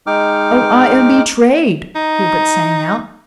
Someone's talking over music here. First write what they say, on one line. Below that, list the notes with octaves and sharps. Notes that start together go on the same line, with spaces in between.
"Oh, I am betrayed!" Hubert sang out.
G#3 D#4 G5 D6 F6
D#4